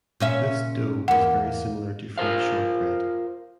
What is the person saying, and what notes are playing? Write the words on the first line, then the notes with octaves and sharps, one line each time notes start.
This dough is very similar to French shortbread.
A#2 C#4 E5
E2 A#3 F#5
F4 A#4 C5 F5